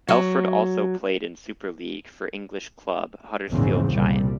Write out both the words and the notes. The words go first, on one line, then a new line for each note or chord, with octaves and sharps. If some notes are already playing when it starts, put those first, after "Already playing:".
Elford also played in Super League for English club, Huddersfield Giants.
F#3
A#1 E2 G#2 C#3 C4
C2 A#2 G3